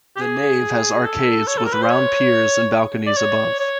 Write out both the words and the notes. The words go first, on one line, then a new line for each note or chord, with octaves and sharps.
The nave has arcades with round piers and balconies above.
G4
G#4
A4
C#5
A4
A#4
B4
C5
C#5
D5
C#5
C#5